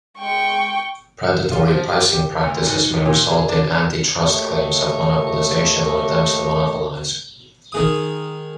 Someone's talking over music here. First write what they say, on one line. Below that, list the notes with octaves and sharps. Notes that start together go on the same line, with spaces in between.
Predatory pricing practices may result in antitrust claims of monopolization or attempts to monopolize.
G#3 G5 C#6
F4
F3
G4
G4
D2
G#2
D#3
A#2
G#4
D4
A3 A#3 G4 C#5 D#5 E5
D#3 G#3 D#6